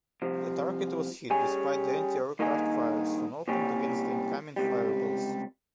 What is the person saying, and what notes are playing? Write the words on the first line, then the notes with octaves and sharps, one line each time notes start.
The target was hit, despite the anti-aircraft fire soon opened against the incoming 'fireballs'.
C2 C3 F3
G3 C#4 G#4
G2 D#3 A#3 D#4 G#4
C2 A#2 G3 C#4
C#2 C3 G3